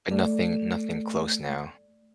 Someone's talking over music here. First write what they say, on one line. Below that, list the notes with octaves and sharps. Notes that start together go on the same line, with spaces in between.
But nothing nothing close now.
A3 D5